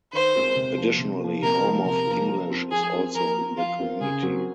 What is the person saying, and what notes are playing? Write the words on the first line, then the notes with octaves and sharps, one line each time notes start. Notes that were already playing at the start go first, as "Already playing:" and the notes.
Additionally Home of English is also in the community.
D#3 C5
G#3 C4 F4 A#4
C3
F3 A#3
C3
F3 A#3
C3 A#4
F3 A#3
C3 A#4
F3 A#3
F3
C4 F4 A#4
F3 G#4
C4 F4 A#4
F3 A#4
C4 F4 A#4
F3 F4
C4 F4 A#4
C#3 G#4
F#3 C4 F#4 A#4